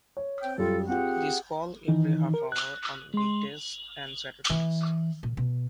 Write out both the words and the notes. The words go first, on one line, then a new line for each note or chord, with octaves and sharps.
These call every half-hour on weekdays and Saturdays.
C#5
C4 G5
F#2 G3 F4 A4
C4 F4 G4 G#4 F#5
D#3 E3 D#4
A#4
F#6
G#3 C6
E3
A#2
B2